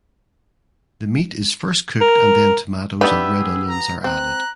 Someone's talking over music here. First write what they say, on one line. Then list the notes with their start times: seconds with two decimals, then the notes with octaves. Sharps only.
The meat is first cooked and then tomatoes and red onions are added.
2.01 A#4
3.01 B3 D4 D#4 G4 B4 E5 E6
3.38 G#4
3.68 A#5
4.04 C4 A#5 F#6